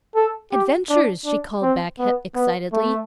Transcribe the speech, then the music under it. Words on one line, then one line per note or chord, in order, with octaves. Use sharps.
"Adventures!" she called back excitedly.
A4
G4
D4
D4
C4
B3
B3
A3